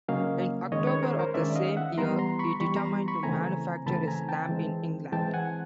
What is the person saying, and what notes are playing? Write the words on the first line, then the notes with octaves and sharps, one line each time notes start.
In October of the same year, he determined to manufacture his lamp, in England.
C#3 F#3 A#3 C#4 D#5 F5
D#3 G#3 C#4 C#5 D#5
B4 C#5
A#4 C5
A#4 C5
D#3 G#3 C#4 D5 E5
D#5 F5
E5 F#5
E3 G3 B3 A#5 C6
A#5 C6
B5 C#6
E3 G3 B3 B5 C#6
A#5 C6
B5 C#6
C#3 E3 A3 C4 G#5 A#5
C#3 E3 A3 C4 A5 B5
G#5 A#5
G5 A5
E3 G#3 C4
E3 G#3 C4 G5 A5
F#5 G#5